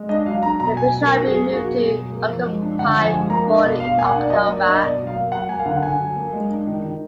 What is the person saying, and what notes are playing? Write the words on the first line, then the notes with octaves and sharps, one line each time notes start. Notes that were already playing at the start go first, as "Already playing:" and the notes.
The Finnish Army moved to occupy Reboly in October.
Already playing: G#3
D4 D#5
F#3 F5
D4 A#5
B2 A#5
B2 G#5
F#3
A#4
D4
F#4
F#3 G#4
A#3 G#4
F#4
B2
B2 G#4
F#3
A#3
F3
G#3
D4
D3 F#5
F3
G#5
G#3
A#3 A#5
D4
D#5
B2
B2 F5
A#3 G#5
F#5
D4 D5
F#3 D#5
A#3
D5
D4
D#5
B2 D5
F#3
F5
A#3
F#3 F#5
A#3 G#5
F5
D3 F#5
F#5
D3 G#5
F#3
A#3
G#3
D4
D#3
D#3